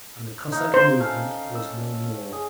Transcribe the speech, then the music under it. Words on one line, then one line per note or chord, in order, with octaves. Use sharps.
And the Cossack movement was no more....
D#4 C#5 F5
C5
C#4 A4 F5
E6
G#4